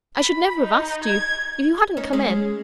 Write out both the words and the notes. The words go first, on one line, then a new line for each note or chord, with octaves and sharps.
'I should never have asked you, if you hadn't come in.
B5
D#4
G#6
C#4 D#4
G#3 C#4